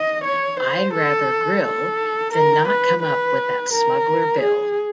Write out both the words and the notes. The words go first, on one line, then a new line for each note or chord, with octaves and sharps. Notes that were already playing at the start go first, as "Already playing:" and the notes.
I'd rather grill than not come up with that Smuggler Bill.
Already playing: D#5
C#5
C5
A4
A4
A#4
B4
B4
A#4
G#4